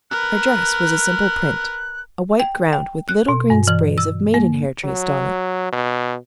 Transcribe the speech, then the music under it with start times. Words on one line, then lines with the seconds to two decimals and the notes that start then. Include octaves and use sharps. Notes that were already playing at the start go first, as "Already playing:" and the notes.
Her dress was a simple print, a white ground with little green sprays of maiden-hair traced on it.
0.11 A#4 B4 F#6
2.40 G5
2.73 G5
3.09 F#6
3.29 B2
3.50 G2
3.68 E3
3.98 E6
4.34 A#3
4.84 F#3
5.72 B2